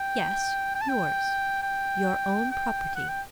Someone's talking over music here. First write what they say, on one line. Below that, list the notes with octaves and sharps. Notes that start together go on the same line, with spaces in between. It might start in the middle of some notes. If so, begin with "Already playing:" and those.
"Yes; yours--your own property."
Already playing: G5
G5
A5
G5
G5
G5
F#5
G5